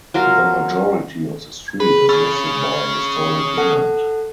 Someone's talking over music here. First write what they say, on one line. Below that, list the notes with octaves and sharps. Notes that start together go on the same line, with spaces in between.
The majority of the street is listed by Historic England.
F#3 F4 A#4
G#4 B4
C#4 G#4 B5 E6 A6
A4 F#5